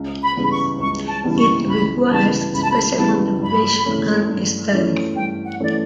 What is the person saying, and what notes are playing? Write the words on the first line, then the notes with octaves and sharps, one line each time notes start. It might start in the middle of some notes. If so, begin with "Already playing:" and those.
It requires special contemplation and study.
Already playing: C#2
B5
C#3 E3 G3 B3
B5
C#6
C#2 C#6
A5
C#3 E3 G3 B3
C#6
C#2 B5
C#3 E3 G3 B3 A5
C#2 B5
A5
B5
C#3 E3 G3 B3 A5
G2 B5
E3 A3 C#4
G2
E3 A3 C#4
G2 G5
F#5
E3 A3 C#4 D5